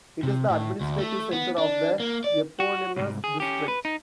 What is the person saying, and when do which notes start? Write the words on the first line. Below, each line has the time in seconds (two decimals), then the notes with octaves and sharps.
It is the administrative center of the eponymous district.
0.23 C3
0.50 A2
0.81 D2
0.98 A3
1.33 B3
1.58 D4
2.00 A#3
2.24 D5
2.60 F#4
2.96 C2 G#2
3.24 G#4
3.40 C#4 G4
3.68 B4
3.85 D#4